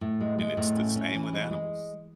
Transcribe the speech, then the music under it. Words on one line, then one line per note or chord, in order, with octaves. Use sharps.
and it's the same with animals,
A2
G#3
G#3
A2
C#4
C#4
E3
G#3
G#3